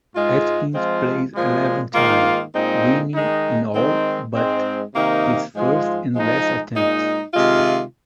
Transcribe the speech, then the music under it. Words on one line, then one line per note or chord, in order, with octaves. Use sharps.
Atkins played eleven times, winning in all but his first and last attempts.
G#2 G#3 F4
F3 G#3 C4 F4
A#2 F3 G#3
G#2 D#3 A#3 F4
A#2 G#3 C4 D#4
D#3 G#3 D#4
D#3 G#3 C4 D#4
G#2 G#3 C4
C3 D#3 A#3 D#4
G#2 F3 G#3 F4
F3 G#3 D#4
A#2 G#3 D#4
C3 D#3 G#3 F4